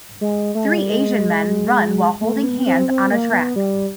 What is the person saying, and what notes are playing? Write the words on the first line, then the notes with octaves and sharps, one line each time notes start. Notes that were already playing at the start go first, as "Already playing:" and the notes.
Three Asian men run while holding hands on a track.
G#3
A3
G#3
G3
G#3
A3
B3
C4
C4
A#3
B3
G3